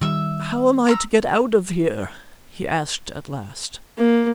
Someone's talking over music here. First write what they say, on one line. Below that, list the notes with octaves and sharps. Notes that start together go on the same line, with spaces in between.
"How am I to get out of here?" he asked at last.
D#3 G3 E5 E6
A#5 C6 E6
A#3